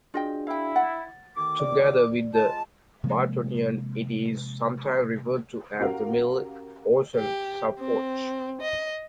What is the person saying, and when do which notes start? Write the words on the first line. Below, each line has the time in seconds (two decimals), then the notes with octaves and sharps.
Together with the Bartonian it is sometimes referred to as the Middle Eocene subepoch.
0.14 D4 F4 F#4 G#4 D#5 G5
0.47 E4 F5 G5
0.76 F#5 A6
1.35 D2 D#3 D6
1.60 D5
2.34 G#3 F4 A5
3.04 C3 F3 G#3 A#3
5.79 C#4 F#4 G4 A#4 F5 F#5
7.15 G4
7.80 C4
8.61 D#5